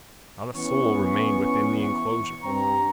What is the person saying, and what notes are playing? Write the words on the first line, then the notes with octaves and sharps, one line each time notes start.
Not a soul remained within the enclosure.
E3 B3 C#4 C#6
G2 C4 A#5